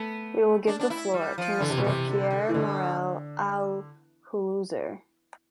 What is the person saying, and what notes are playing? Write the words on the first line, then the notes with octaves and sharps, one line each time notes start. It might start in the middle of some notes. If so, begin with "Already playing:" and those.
We will give the floor to Mr Pierre Morel-A-L’Huissier.
Already playing: A3 B3
D4
D4
E4
G3
F3
D3 E3
C3
B2
C3 E3
D3
D3
E3
B2 D3